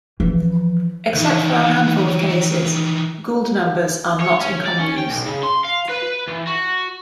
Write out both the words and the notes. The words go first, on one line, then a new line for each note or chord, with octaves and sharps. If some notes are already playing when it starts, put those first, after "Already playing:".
Except for a handful of cases, Gould numbers are not in common use.
E3 F3
D#3 E3
C#5
C#4
D5
C#4
G5
B1
C#3
C6
F5
B4
E3
F#4